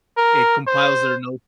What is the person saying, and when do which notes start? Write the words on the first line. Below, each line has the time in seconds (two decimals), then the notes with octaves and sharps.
it compiles their notes
0.17 A#4
0.67 C5